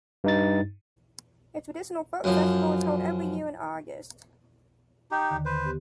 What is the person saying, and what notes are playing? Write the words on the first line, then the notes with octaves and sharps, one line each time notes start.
A traditional folk festival is held every year in August.
G2 D#4 A6
F#2 F3
D#4 G4
D#2 D3 D#3
B4 C5
B3 G4